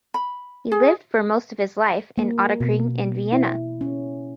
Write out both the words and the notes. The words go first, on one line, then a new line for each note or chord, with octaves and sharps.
He lived for most of his life in Ottakring in Vienna.
B5
G#4
A#3
B2
E4
C#4